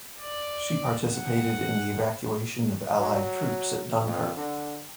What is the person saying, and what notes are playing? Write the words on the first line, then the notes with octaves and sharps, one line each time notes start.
She participated in the evacuation of Allied troops at Dunkirk.
D5
F#5
F#3
F2
D3